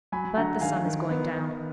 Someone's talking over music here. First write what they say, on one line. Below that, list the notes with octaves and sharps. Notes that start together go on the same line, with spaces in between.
But the sun is going down.
F#3 G#5 B5
D3 F#5 A#5
D#3 F5 G#5
D#3
B3
B3